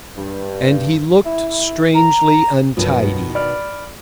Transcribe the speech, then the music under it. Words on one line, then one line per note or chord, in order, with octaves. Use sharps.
And he looked strangely untidy.
G2
E4
A#5
C2 G2 B2 D#3 F#3 B3 F4
D5 B5 F6